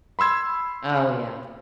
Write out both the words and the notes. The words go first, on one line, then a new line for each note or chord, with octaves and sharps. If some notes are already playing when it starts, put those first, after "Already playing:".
Oh, yeah.
B5 C6 E6 G#6